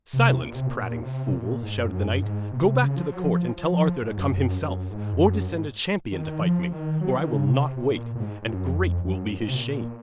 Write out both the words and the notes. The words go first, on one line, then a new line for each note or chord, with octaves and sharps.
'Silence, prating fool!' shouted the knight, 'go back to the court and tell Arthur to come himself, or to send a champion to fight me, or I will not wait, and great will be his shame.'
C3
A#2
C3
A#2
C3
C3
A#2
G#2
F#2
F#2
F#2
G#2
C3
C#3
F3
F#3
F3
F3
F3
F3
F3
G#2
F#2
F#2
F#2
G#2
F2
F#2
G#2
D#3
F3
D#3
F#3
D#3
C#3
C3
A#2
A#2
G#2
G#2
F#2
F2
F2
F#2
G#2
C3
A#2